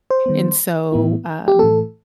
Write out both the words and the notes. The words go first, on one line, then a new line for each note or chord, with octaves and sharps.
and so, um,
C5
D#3 G3 B3
A2 E3 B3 E4
G4
A2 E3 A3 A4